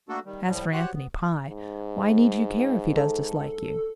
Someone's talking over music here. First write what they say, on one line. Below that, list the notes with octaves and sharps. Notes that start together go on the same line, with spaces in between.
As for Anthony Pye, why need you care if he does dislike you?
A3 A#3 D4 F#4 A4
D#3 G3
A2 F3 G3
F#4 G4 C5 C#5 F#5 F#6
B3
G#2
A4